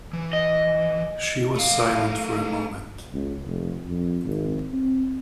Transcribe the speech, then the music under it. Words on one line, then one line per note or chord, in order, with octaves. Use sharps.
She was silent for a moment.
E3
D#5
A3 F5
C#2
F1
F2
G#1
C4